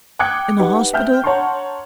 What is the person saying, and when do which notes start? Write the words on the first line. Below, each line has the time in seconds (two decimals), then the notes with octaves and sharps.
"In a hospital?"
0.19 G5 D6 D#6 F#6 G#6 C#7
0.59 D#4 G4 B4 F#5
0.93 E5 G5 F6 G6
1.24 C#5 F#5 A5 A#5 C6 C#6